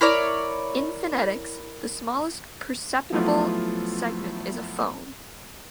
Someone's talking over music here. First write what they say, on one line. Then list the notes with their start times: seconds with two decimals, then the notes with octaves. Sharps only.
In phonetics, the smallest perceptible segment is a phone.
0.01 E4 A#4 C#5 D5
3.12 F3 F#3 A3 B3 E4 F4